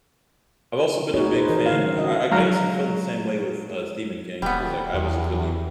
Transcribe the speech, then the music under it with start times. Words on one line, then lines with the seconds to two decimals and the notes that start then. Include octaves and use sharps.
I've also been a big fan. I I I guess I feel the same way with, uh, Stephen King, 'cause, like, I was a really
1.14 D#4 F#4 G#4 B4 C#5
1.35 D#4 G#4 B4 C5
1.49 E3 A#4
1.66 D3 F5
1.83 G3 C#4
1.99 F#4 D#5
2.31 F#3 G#3 F5 A#5
4.42 D#1 G3 B3
4.94 E2